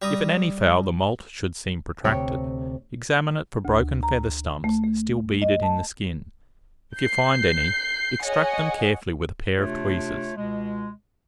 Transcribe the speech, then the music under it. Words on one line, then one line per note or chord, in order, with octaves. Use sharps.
If in any fowl the moult should seem protracted, examine it for broken feather-stumps still beaded in the skin: if you find any, extract them carefully with a pair of tweezers.
G3 A#5 D#6
D2 C3 C4 C#5 G5
D2
A#5
A3
A3
D#5
A5
G6 C7
G#4 C#5 D#5 F#5 G#5
C3 A3 D4 F4 C#5
C#2 B2 G#3